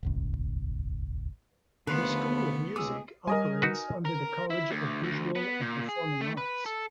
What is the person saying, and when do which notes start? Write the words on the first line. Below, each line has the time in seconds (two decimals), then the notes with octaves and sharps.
The School of Music operates under the College of Visual and Performing Arts.
0.03 D#1 G#1 C#2
1.87 D#2 D3 F3 A3 B3 B4 C6
2.76 C#2 G#3 G#4 D6 E6
3.27 G3 A#4 D#5 G#5
3.62 D#4 F#4 B4
4.05 A#4
4.50 E4
4.71 D2
5.04 D2
5.35 B3
5.61 A#2
5.89 G#4
6.21 A3
6.37 B4
6.66 A4